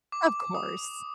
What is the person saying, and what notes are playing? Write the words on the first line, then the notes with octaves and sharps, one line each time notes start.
Of course.
D6
D#6